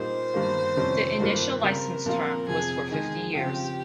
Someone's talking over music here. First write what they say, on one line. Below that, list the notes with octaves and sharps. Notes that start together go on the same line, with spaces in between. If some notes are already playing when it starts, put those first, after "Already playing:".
The initial license term was for fifty years.
Already playing: A#2 G3 A#3 D#4 C5
G2 D#3 G3 A#3
F2 C3 D#3 G3 C#4
G2 D#3 G3 A#3 F4
C#3 G3 C4 A#4
A#2 F3 C4 F4 A#4
F2 C3 F3 G#4
D#3 G#3 D#4 G#4
C#3 F3 C4 G4